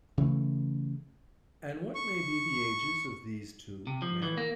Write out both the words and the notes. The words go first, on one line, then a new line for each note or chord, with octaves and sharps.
And what may be the ages of these two, ma'am?
C#3 E3 A3
C#6
C3
F3
E3
A#3